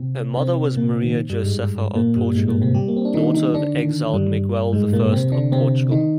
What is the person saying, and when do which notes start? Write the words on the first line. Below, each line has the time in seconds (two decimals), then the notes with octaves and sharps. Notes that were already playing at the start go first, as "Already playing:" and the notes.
Her mother was Maria Josepha of Portugal, daughter of exiled Miguel I of Portugal.
Already playing: C3 C4
0.37 C3 C4
0.76 A#2 A#3
1.03 D#3
1.30 G2 G3
1.43 G#2 G#3
1.96 A#2 A#3
2.16 G2 G3
2.35 G#2 G#3
2.48 A#2 A#3
2.62 C3 C4
2.74 G3 G4
2.88 A#3
2.97 C4
3.05 D4
3.14 D#3 D#4
3.34 D#3 D#4
3.54 D3 D4
3.74 D#3
4.14 G2 G3
4.73 G#2 G#3
4.93 A#2 A#3
5.12 C3 C4
5.32 D3 D4
5.52 C3 C4
5.91 D#3 D#4